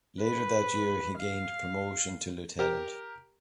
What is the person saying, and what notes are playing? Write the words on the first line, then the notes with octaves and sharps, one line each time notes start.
Later that year he gained promotion to lieutenant.
B4
F5
G4 A#4